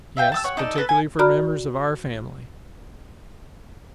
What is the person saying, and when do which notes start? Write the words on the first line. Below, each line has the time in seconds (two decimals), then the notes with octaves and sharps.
"Yes. Particularly for members of our family."
0.17 E5 F5 G5
0.32 A5 D#6 E6
0.44 C#5 F#5
0.57 D#4 A4 A#4 D5
0.75 A4 B4
0.89 G#5
1.19 F#4 D5 A#5 B5 F6